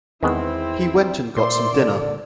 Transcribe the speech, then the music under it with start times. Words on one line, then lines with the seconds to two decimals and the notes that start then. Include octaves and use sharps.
He went and got some dinner.
0.23 E2 D#3 G#3 B3 C4 E4
1.37 A#2 C5 D5 E5 C6
1.72 D3